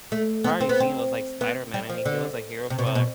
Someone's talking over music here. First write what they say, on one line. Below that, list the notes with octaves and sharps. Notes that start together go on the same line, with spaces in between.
probably seen was, like, Spider-Man. I mean, he was a hero for
A3
B3
C4
B3
C4
B3
G3
F3
D3
C3
B2
C3
B2